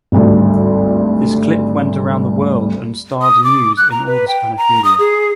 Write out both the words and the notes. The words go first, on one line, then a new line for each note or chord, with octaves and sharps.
This clip went around the world and starred news in all the Spanish media.
G#1 D2 G2
D#6
D6
F#6
A#5
B4
G5
A#5
D#6
G#4